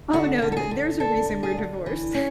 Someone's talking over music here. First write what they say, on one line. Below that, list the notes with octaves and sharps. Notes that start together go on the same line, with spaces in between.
Oh, no, th there's a reason we're divorced.
D3 F#4
D3
A4
G#4
D3
D4 A4
D3
G#4
D3
E3
C#4